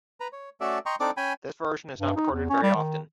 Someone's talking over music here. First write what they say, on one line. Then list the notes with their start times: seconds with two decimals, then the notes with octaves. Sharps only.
This version is not recorded very often.
0.20 B4 A#5
0.33 C#5
0.61 A3 C#4 F#4 A4 D5 E5
0.86 D#5 G5 A#5 C6 C#6
1.00 C4 D4 D#4 A4 D5 D6
1.17 C#4 G5 G#5 B5
1.99 G2
2.16 D#4
2.32 E2
2.49 C#4
2.63 G3
2.76 D#3